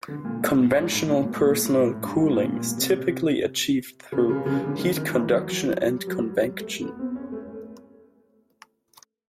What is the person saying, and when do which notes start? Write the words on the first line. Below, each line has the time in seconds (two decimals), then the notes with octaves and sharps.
Conventional personal cooling is typically achieved through heat conduction and convection.
0.08 D3
0.25 A#2
0.41 G#2
0.75 G#2
0.92 A2
1.09 A#2
1.25 B2
1.36 A2
1.42 A#2
1.65 A2
1.87 A2
2.05 G2
2.09 G#2
2.32 A#2
2.55 A#2
2.77 C3
4.12 C#3
4.29 C#3
4.46 C#3
4.63 D3
4.79 D#3
4.96 D#3
5.13 E3
5.30 F#3
5.46 F#3
5.80 G3
6.07 F#3
6.15 G3
6.36 G3
6.59 A3
6.82 B3
6.99 C4
7.15 C#4
7.32 A3